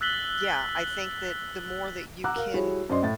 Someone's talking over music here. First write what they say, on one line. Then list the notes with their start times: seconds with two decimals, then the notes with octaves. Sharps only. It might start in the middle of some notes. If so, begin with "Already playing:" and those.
yeah, I think that the more that you can
0.01 E6 F#6 A6 B6 F#7 G7
2.24 F#5 A#5 D6 E6 F#6
2.36 A#4 F5
2.53 G3 E4 F#4 G#4 C#5
2.89 F#2 C5 D5 D#5 C6
3.03 A2 A6